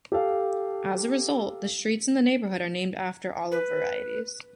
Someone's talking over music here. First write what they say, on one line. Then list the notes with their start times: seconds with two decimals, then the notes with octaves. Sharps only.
As a result, the streets in the neighborhood are named after olive varieties.
0.12 G4 A4 F5
3.52 B4